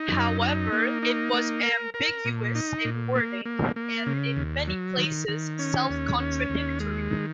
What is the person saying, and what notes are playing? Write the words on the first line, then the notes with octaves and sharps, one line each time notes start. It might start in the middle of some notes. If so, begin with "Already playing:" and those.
However, it was ambiguous in wording, and in many places self-contradictory.
Already playing: D#4
F#2
D#4
A#3
D#4
A#3
A#4
A#4
A#2
D#4
A#2
A#3
A#3
A#3
C#3
D#2
F#3
D#3
D#3
C#4
D#2
C#4
D#2
G#3
D#3